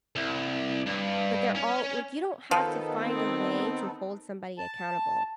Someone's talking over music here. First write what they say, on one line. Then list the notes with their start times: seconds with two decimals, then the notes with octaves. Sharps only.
but they're all like you don't have to find a way to hold somebody accountable.
0.16 C2
0.86 G2
1.55 C#4
2.51 D#3 F3 B3 D#4 A4
3.00 C4
4.58 A5